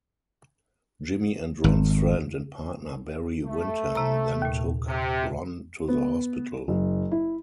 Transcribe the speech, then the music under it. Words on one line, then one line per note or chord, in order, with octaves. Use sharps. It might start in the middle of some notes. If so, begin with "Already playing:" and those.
Jimmy and Ron's friend and partner Barry Windham then took Ron to the hospital.
G#1
A3
C3 A#5
D#2 A#2
C3
B3
F#1
E4